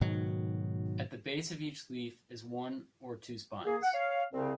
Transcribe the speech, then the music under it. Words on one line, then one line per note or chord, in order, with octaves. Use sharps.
At the base of each leaf is one or two spines.
G#2 B2 D#3 F#3
A#3 G#4
F#5
C#5 F5
C2 C#3 C4